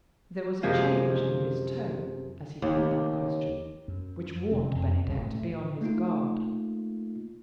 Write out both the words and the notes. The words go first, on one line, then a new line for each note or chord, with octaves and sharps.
There was a change in his tone, as he put that question which warned Bennydeck to be on his guard.
F#2 C3 F3 G#3 A#3
D#2
F#2
E1 C3 C4
F2
F#1 C2 F#2
A2 A3
A3 A#3 D#4 F4